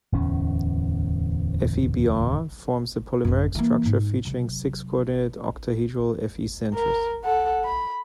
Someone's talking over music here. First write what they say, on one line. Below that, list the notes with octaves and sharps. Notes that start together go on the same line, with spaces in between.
FeBr forms a polymeric structure featuring six-coordinate, octahedral Fe centers.
D1 E2 C#4
A1 F#2
E3 A#3
G#2
C3 F#3
A#4
A4 F#5
B5